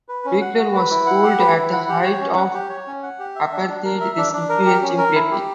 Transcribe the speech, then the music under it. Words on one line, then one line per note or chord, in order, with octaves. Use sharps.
Duiker was schooled at the height of Apartheid; this influenced him greatly.
B4
C#4
F#5
F#4
B4
E4
F#5
G4
B4
E4
F#5
G4
C#5
C#4
F#5
G4
C#5
C#4
F#5
G4
E5
D4
D4
A#4
E5
D4
D4
A#4
G4
C#4
A#4
E4
G4